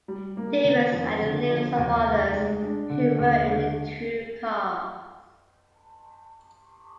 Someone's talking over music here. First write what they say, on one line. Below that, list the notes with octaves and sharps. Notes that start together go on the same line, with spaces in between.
Davis and the names of others who were in the two cars.
G3
A#3
D#3
F2
D3
F3
D#2
F1
G#3
D4
D3
D#2
D3